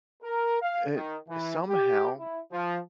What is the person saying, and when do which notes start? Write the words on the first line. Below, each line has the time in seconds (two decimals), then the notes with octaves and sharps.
it somehow,
0.23 A#4
0.63 F5
0.95 D#3
1.29 E3
1.69 G4
2.18 E4
2.52 F3